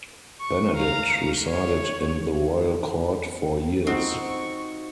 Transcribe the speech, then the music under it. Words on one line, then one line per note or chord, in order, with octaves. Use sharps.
Benedict resided in the royal court for years.
C#6
F5 A#5
C#5
C4 D#4 F4 F#4 C#6